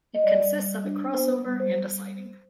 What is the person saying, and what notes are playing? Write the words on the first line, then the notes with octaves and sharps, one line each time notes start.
It consists of a crossover and a siding.
D#5
G3 D5
G3
D4
B3 C5
G3
C5
G3